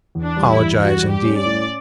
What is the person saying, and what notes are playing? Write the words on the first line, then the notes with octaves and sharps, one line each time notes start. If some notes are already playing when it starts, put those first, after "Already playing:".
Apologise indeed!
E2
D4
G3
E4
E2
G3 F#4
G3
G4
C#4
D5
A2